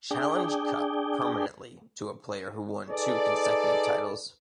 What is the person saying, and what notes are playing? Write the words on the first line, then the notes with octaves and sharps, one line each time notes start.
Challenge Cup permanently to a player who won two consecutive titles.
D4 G#4 G5
D#4 G#4 A4 B4 D5